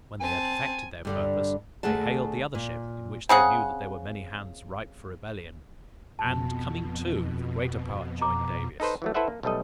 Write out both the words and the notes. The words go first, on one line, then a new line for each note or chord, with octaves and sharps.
When they had effected their purpose, they hailed the other ship, in which they knew that there were many hands ripe for rebellion, and coming to, the greater part joined Davis.
C4 G#5 A5
G2 D3 G3
D2 A3 G#4 F#5 A5
A#2
C#3 C4 G#4 F#5
F2 B2 A5
A#5 D6
D#4 A4 B4 C5
E3 F#3 A3
E4 A4 B4 C5 E5 F#5
A#3
B1 G3 A3 A4 D#5